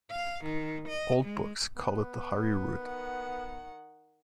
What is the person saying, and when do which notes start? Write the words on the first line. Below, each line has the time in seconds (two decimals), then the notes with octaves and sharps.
Old books call it the Hari Rud.
0.11 F5
0.44 D#3
0.88 D#5
1.25 G#3
1.76 B3
2.79 D#3 F#5